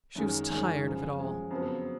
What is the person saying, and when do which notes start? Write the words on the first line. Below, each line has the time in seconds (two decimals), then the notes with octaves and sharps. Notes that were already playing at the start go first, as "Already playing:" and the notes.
She was tired of it all.
0.15 F#1 F#2 D#3 G#3 C#4
0.50 F#1 F#2 D#3 G#3 C#4
0.83 F#2 F3 G#3
1.17 F#2 F3 G#3
1.51 F2 C#3 F#3 B3